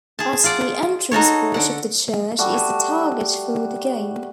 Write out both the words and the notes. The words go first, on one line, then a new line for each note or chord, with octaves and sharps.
At the entrance porch of the church is the target for the game.
G#4 A5
F4 D5 F#5
D#4 F#4 A4 C#5
D3 F#5
G3 A3 F#4